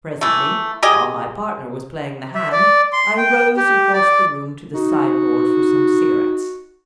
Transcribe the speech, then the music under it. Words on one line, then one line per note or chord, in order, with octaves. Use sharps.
Presently, while my partner was playing the hand, I rose and crossed the room to the sideboard for some cigarettes.
E3 A3
G4 G#4 D#5
E5
D5
C6
G5
G4
D5
D#4 F#4